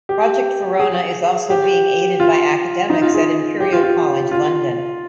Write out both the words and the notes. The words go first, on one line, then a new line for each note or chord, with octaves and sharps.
Project Verona is also being aided by academics at Imperial College London.
G4
G#4
G4
F4
D#4
F4
G#4
G4
F4
F4
F4